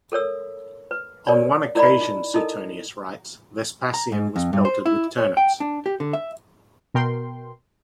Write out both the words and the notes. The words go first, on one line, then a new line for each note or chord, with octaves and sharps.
On one occasion, Suetonius writes, Vespasian was pelted with turnips.
A4 A#4 C#5 E6
B4
A#4 C#5 D5
E4 A#4 D5 D#5 A#5 B5
D#4
D#4 E4 A4 A#4 D#5
A#5
G#2
F2
G2
C5
E4
C#5
G5
D4
G4
D3
E5
B2 A#4 G5 C6